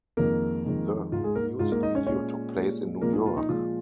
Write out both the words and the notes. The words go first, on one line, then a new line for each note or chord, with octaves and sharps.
The music video took place in New York.
F2 D#3 G#3 A#3 A#4
F2 D#3 G#3
G#2 G#3 F4
G#3 G#4
A#3 A#4
G#2 G#3 F4
A#3 A#4
D#4 D#5
C#4 C#5
A#2 G#3 C#4 C#5
A#2 G#3
A#2 F3 G#3 A#3 A#4
G#3 G#4
F4
D#4
A#2 F3 G#3 F4